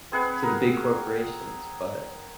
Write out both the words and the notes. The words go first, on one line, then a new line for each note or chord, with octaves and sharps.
to the big corporations, but
C4 G#4 B4 F#5
A#4